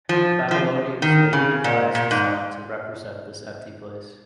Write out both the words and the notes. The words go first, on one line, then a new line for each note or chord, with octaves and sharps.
Babylonians later devised a sign to represent this empty place.
F3
F3
D#3
C#3
A#2
A#2
G#2